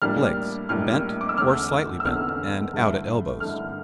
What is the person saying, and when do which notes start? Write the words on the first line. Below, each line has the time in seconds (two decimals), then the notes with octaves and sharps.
LEGS--Bent, or slightly bent, and out at elbows.
0.02 A2 G3 A#3 D4 F6
0.69 A2 G3 A#3 D4 F6
1.21 D6
1.29 E6
1.37 E2 D3 A3 C#4 F6
2.00 E6
2.05 E2 D3 A3 C#4 F6
2.74 G2 D3 A3 E4
3.40 G2 D3 A3 E4 F6